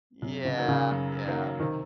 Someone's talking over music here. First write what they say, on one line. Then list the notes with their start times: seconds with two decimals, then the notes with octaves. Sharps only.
Yeah. Yeah.
0.22 F#2 C3
0.45 C#3
0.57 D#3 F#3 A#3
0.68 C#3
0.91 F#2
1.25 D#3 F#3 A#3
1.60 C3 D#3